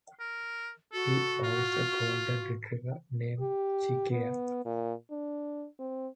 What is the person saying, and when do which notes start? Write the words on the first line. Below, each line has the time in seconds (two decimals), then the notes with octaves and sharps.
He owns a golden retriever named Che Keir.
0.20 A#4
0.93 F#4 A4
1.44 F4
3.41 G4
4.11 B3
4.65 A#2
5.11 D4
5.79 C4